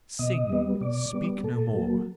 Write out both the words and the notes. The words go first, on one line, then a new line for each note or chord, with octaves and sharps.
Sing! speak no more!
B2 D#5
G3 B3
B2 D5
G3 B3
A#2 A4
F#3 A#3